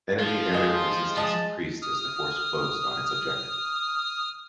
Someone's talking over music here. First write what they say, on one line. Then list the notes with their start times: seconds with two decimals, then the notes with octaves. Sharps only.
Enemy aerial resistance increased as the force closed its objective.
0.19 F3 F4
0.54 G#3 C5
1.17 G#3 A5
1.82 D#6 F6